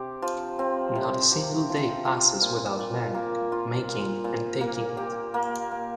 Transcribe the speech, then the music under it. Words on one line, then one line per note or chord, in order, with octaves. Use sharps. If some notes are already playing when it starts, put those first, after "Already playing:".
Not a single day passes without learning, making, and taking it.
Already playing: C3 C4 G4
F3
C4
C3
G4
F3
F4
A#2
A#2
A#3
F4
A#2
A#2
A#3
G4
A#3
A#3